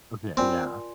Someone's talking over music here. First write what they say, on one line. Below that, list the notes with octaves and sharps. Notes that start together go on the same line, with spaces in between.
Okay, yeah.
C4 F4 A#4 D5 G#5 C6